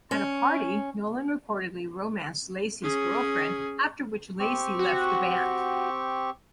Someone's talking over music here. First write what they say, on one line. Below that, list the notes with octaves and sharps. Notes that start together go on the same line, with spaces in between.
At a party, Nolan reportedly romanced Lacey's girlfriend, after which Lacey left the band.
C#4
C#4 G#4
C4 G4 C#6
F#4